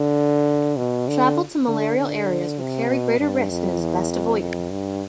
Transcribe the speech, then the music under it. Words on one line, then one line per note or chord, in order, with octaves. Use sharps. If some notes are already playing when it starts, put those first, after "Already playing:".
Travel to malarial areas will carry greater risks and is best avoided.
Already playing: D3
B2
D3
D3
D3
C3
B2
G2
F2
E2
F2
F2
G2